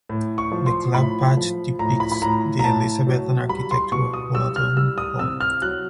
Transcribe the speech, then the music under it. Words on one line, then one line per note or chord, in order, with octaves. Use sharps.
The Club Badge depicts the Elizabethan architecture of Wollaton Hall.
A2
C#6
F3
C6
A2 B5
F3
A2 A#5
B5
B5
A2 A#5
A#5
A2 A5
F#3
G3 B5
C6
B2 C#6
D#6
G3 E6
F6
G3 E6
D#6
C3 E6
F6
F#3 F#6